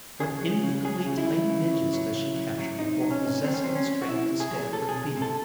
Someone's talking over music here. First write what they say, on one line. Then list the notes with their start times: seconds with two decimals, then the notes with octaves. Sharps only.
What infinitely tiny Midges does she capture before possessing the strength to stab her Bee?
0.20 C#3 G#4
0.41 F#3
0.63 C#3
0.84 F#3 G#4
1.06 C#3
1.18 E4
1.28 C#3
1.49 C#3
1.71 C#3
1.93 F#3
2.14 C#3
2.36 F#3
2.58 F#3
2.79 C3 D#4
3.00 F#3
3.11 C#4
3.22 C3
3.44 F#3 C4
3.54 C#4
3.64 F#3 C4
3.75 C#4
3.87 F#3
4.02 F#4
4.08 C3 E4
4.30 C3
4.40 G#4
4.51 F#3
4.73 F#3 A4
4.89 G#4
4.94 C3
5.16 C3
5.22 A4